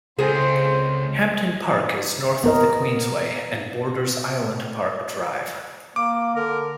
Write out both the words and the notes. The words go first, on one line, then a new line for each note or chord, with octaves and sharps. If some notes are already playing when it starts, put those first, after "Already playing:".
Hampton Park is north of the Queensway and borders Island Park Drive.
C#2 C4 G#4 C5
B3 A#4 D#5
A#3 D6
D3 A#4